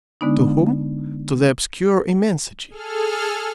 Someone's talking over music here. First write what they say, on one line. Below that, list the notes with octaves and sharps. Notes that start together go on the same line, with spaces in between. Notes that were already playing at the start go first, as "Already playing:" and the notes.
To whom? To the obscure immensity.
D3 G#3 B3 D4 D#4
G#4 A4 F6